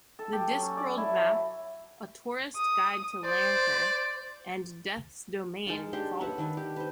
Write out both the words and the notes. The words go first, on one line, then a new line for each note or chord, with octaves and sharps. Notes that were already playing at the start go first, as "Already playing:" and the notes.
"The Discworld Mapp", "A Tourist Guide to Lancre" and "Death's Domain" followed.
A4
G4
F#3
C#4
D5
E4
F#3
D#6
C5 D5
G#3 D#4 A#4 A5
D4 G4 C6
B4 C#5 E5 F#5
D#3 D4 B4 G#5
G4
B4 C5